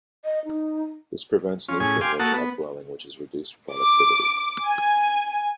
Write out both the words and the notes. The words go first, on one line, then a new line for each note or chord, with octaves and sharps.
This prevents nutrient-rich upwelling which has reduced productivity.
D#5
D#4
C#4 F4
A2 C#4 G#4 G#5
F5 G5 G#5 C6 D6
A#3 F#4 A4 F#5 A5 D#6
B3
D6
G#5